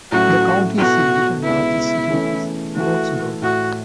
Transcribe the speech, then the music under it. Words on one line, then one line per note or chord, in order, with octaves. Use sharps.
The county seat and largest city is Lordsburg.
A2 F#3 A3 C#4 F#4 A4
B2 B3 E4 F#4 A4
C#2 B2 B3 E4
E3 A3 C#4 A4
E3 A3 E4 F#4 A4
A2 A3 E4 F#4